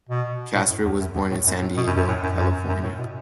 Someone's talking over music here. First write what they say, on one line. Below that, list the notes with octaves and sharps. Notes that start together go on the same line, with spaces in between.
Casper was born in San Diego, California.
B2
A2
F#2
E2
F#2
E2
A2
F#2
A2
B2
F#2
F#2
A2
F#2
F#2
F#2
A2
B2